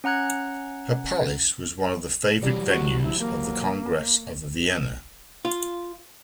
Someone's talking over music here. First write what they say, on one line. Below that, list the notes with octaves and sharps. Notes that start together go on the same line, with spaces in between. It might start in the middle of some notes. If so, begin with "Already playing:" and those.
Her palace was one of the favourite venues of the Congress of Vienna.
C#4 F#5 A#5 F#6 G#6
E3 F#3 G3
F#4
E4
A#3
F4